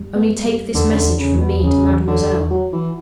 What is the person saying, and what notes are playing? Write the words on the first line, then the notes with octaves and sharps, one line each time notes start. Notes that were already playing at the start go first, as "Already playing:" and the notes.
Only take this message from me to mademoiselle.
Already playing: F#2 G3
B3
G3
E2 D3
C#3
D3
E2
C#3
E2 A2
B2
E2 C#3
E3
D3
E2
F#3 F#4
E3